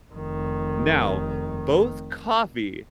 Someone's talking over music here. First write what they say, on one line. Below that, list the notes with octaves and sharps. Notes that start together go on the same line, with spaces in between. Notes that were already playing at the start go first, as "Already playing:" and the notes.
Now, both coffee
F1 D#3